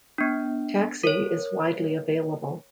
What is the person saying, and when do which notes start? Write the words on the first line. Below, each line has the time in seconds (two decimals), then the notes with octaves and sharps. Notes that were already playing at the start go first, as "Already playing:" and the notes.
Taxi is widely available.
0.18 B3 D4
1.03 A#4 C#5